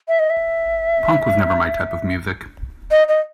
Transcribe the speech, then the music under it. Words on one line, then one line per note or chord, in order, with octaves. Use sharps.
Punk was never my type of music.
E5
D#5
E5
D#5
D#5